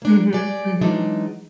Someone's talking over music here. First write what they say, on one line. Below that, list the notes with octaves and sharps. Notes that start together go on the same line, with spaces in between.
Mhm, mhm.
A#3 D4
G4 G#4 D5
E3 F#3 G#3 D4 D#4